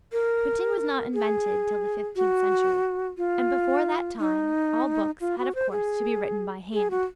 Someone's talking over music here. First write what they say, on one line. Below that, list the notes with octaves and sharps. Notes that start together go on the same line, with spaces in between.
Printing was not invented till the fifteenth century, and before that time all books had of course to be written by hand.
A#4
G#4
F#4
F4
D#4
F4
F#4
C5
G#4
G#4
F#4